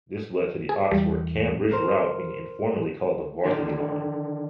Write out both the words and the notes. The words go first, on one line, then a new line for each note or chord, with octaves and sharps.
This led to the Oxford - Cambridge route being informally called the Varsity line.
G#4
E2 G3
A#4 C5
D3 D#3